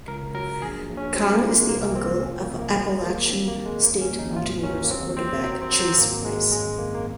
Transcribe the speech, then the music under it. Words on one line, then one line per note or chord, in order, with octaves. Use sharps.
Conn is the uncle of Appalachian State Mountaineers quarterback Chase Brice.
C#2 A#4
F#3 A#4
A#1 G#4
A#1
C#4
F#3 C4
A#3
A#2
G#3
C2 A#3
C3 C4
F3 C#4
A#3
A#1
A#3
F#3 G#3
D#3 A#3
F#3 C4
A#3
D#3
G#3
D#2 A#3
C#4
D#2
D#4
G#1 F4
F#3 C#4
A#3
D#2 C4
D#3 C4
F#3 C4
C4
F#3
C4
G#1 A#3
G#2 G#3
G#1 G#3
F#2 A#3
A#3